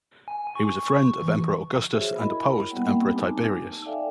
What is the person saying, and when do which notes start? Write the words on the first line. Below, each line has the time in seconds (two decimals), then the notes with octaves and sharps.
He was a friend of Emperor Augustus and opposed Emperor Tiberius.
0.28 G#5
0.55 C#6
1.22 E3
1.93 F#4 G#4 C5 C#5 E5
2.15 E4 A#4 D#5 B5
2.71 G3 A#3 B3 F#5 G5
2.97 C4 G4
3.13 D#4 G#5 A5 D6
3.86 A4 D5 E5 F5 G5 G#5